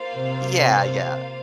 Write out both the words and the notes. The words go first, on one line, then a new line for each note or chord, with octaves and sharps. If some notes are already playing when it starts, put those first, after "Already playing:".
Yeah, yeah.
Already playing: A#3 F4 C5 F5
C3